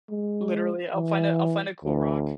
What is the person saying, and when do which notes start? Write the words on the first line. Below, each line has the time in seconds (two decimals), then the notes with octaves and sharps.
Literally, I'll find a I'll find a cool rock.
0.10 G#3
0.95 E3
1.85 D2